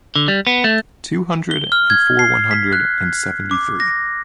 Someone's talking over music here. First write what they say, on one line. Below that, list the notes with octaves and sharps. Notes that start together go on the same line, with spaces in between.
Two hundred and four one hundred and seventy-three.
D3
G3
B3
A3
G7
F6
G#6
C7
B6
F#6
D6
A#6